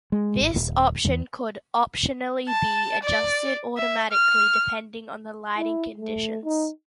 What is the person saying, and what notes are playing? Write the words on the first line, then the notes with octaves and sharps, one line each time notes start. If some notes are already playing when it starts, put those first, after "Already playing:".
This option could optionally be adjusted automatically depending on the lighting conditions.
G#3
G#1
D#1
E2
A5
D5
E5
F6
E4
A3
D#4